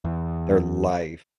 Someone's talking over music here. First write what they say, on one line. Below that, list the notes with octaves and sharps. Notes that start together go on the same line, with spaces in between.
their life,
E2